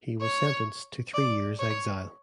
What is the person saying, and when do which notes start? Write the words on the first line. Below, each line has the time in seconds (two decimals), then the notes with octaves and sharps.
He was sentenced to three years' exile.
0.22 C#5
1.14 D5
1.59 C#5